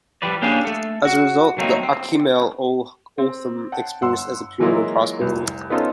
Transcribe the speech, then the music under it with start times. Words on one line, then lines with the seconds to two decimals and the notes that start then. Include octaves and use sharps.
As a result, the Akimel O'Otham experienced a period of prosperity.
0.22 F3 G3 B4 D5
0.42 A#3 C#4 D4 G4 G#4 F5
0.65 A3 A4
1.05 F#4
1.58 F#3 G3 A3 A#3 C4 D#4
1.83 C4
3.18 C4
3.72 F#5 G5 A5
4.02 G1 F#5 C6 E6
4.60 E3 F#3 G#3 A#3 E4 F4
5.21 F1 C2
5.70 B3 C#4 D#4 F4 A4 C5